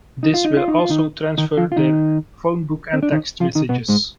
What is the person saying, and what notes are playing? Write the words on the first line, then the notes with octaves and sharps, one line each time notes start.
This will also transfer their phone book and text messages.
D#4
F4
D#4
F4
D#4
F4
D#3 D#4
D#3 D#4
F3 F4
F4
D#3 D#4
C4
D4
D#3 D#4
F3 F4
D#3 D#4
B2 B3
G#2 G#3